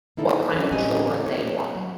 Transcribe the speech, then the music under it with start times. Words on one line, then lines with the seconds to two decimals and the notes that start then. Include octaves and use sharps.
what kind of children they wanted.
0.17 A#3 D#4 E4 A4 B4
0.54 E3 F#3 C#4 D4
0.72 A2 G3 C4 C#4 D#5 G#5
1.26 C#5
1.75 F#3